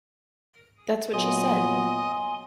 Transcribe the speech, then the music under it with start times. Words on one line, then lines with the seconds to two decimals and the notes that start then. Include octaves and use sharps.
That's what she said!
1.13 A#2 F#3 B3 D#5 G#5 C6